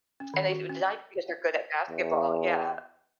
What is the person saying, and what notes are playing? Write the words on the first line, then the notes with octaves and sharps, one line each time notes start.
and they decided because they're good at basketball, yeah.
C#4
D#3
F#4
C#4
E2